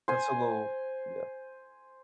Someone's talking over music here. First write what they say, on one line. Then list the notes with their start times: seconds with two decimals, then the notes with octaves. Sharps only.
That's a little yeah.
0.08 C5 G#5